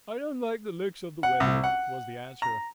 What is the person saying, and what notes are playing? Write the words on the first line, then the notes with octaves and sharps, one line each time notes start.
"I don't like the looks of the weather," was the answer.
F#5
C2
F#5
A#5